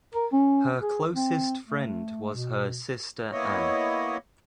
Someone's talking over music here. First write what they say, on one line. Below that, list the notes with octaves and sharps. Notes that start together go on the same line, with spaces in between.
Her closest friend was her sister Anne.
A#4
C#4
G#4
C4
A3
B2
A#3 B3 E4 C#5 D#5